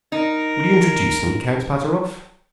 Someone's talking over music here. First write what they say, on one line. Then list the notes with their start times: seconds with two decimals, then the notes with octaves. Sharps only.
"Will you introduce me, Count Pateroff?"
0.12 D#4 A#4